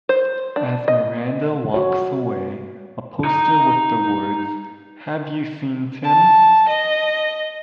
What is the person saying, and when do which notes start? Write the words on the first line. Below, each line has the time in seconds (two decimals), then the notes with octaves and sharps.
As Miranda walks away, a poster with the words Have you seen Tim?
0.09 C5
0.56 D4
0.88 D#5
1.74 F#4 C#5
3.24 D#4 A#5
6.04 A5
6.68 D#5